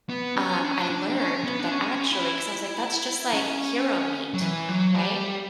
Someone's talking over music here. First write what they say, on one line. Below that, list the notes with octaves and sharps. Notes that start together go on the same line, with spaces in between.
um, I learned that actually 'cause I was like, that's just like hero meat, right?
B3
C#4
D4
C#4
D4
D4
D4
C#4
B3
D4
C#4
E4
C#4
F#3
E3
F#3
G3